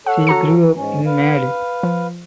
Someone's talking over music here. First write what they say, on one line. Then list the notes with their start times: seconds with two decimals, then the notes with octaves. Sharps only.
She grew up in Made.
0.06 A4 C#5 F#5
0.27 F#4 A#5 C#7
0.76 G#2 C#4
1.06 B4 F5
1.83 F3